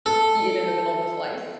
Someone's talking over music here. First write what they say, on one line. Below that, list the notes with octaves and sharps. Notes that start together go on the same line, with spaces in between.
eaten in the middle of the slice.
A4